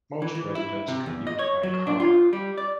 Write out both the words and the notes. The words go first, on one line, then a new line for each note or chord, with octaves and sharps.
Most residents commute by car.
E3
E3
E4
C3
E2
D#5
C#5
F#3
D4
F4
G3
D5